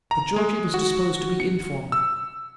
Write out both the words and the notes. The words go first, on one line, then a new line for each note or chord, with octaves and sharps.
But Georgie was disposed to be informal.
A#5
G#3
F#4
C#7
E6